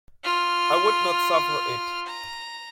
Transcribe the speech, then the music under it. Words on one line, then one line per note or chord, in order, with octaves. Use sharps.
I would not suffer it.
F4 F6
A#5